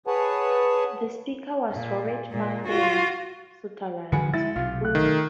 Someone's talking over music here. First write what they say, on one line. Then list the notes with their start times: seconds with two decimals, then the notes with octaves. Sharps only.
The Speaker was Robert Franklin Sutherland.
0.07 G#4 B4 C#5 F#5 A5
1.71 A#2
2.32 A#2 G#3
2.68 F4 F#4
4.12 D3 F3 G3 F#4 G#4 B4 C#7
4.34 G#3 E4 A6
4.56 B1 C3 F4
4.81 A3 F#6
4.95 D#3